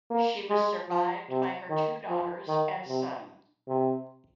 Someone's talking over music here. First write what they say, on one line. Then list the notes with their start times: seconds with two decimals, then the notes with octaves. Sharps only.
She was survived by her two daughters and son.
0.11 A#3
0.50 G#3
0.90 F3
1.29 C3
1.70 D#3
2.09 F3
2.48 D#3
2.88 C3
3.68 C3